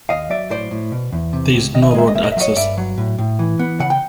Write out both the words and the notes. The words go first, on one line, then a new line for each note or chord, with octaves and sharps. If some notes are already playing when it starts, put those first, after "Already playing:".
There is no road access.
D#2 D#5 F5
F#3 D5 E5
A2 C5 D5
A2
B2
E2
C3
C#2
D#3 D#5
E5
D#5
G#3 E5
D#5
A#3 E5
D#5
E5
F#3 C#5 D#5
G2 D5 E5
F#3
A2
A2
E3
B3
C#3 F#5
G5